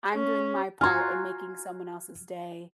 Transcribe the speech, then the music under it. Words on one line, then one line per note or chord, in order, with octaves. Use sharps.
I'm doing my part in making someone else's day
C#4
F4 F#4 G#5 A#5 C6 F6 G#6